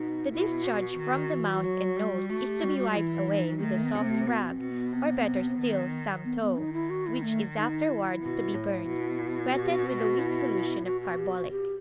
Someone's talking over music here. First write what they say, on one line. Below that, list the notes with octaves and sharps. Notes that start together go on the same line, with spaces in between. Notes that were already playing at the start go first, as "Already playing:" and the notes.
The discharge from the mouth and nose is to be wiped away with a soft rag--or, better still, some tow, which is afterwards to be burned--wetted with a weak solution of carbolic.
Already playing: B2 D#4
B2 E4
F#4
D#3
E3
F#3
G3
A3 F#4
G4
G3 F#4
F#4
F#4
E3 E4
D#4
D#3 A3
B3
C3
A3
B2 B3
C4
B2
B3
C3
D#3
B3
B3
D#3 D#4
E4
F#4
E4
A3
D#4
E4
B2
A2
B2
F#4
G4
F#4
E4
B2 F#4
F#4
G4
F#4
G4